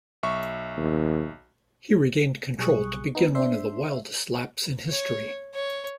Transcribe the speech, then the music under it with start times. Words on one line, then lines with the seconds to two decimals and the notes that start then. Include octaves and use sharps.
He regained control to begin one of the wildest laps in history.
0.23 B1 E5 C#6
0.78 D#2
2.59 B1 G3 G#4 C#6 D#6 F#6
3.15 B3 D#4
3.35 D4 C5 E5 C6
4.90 C#5
5.54 C#5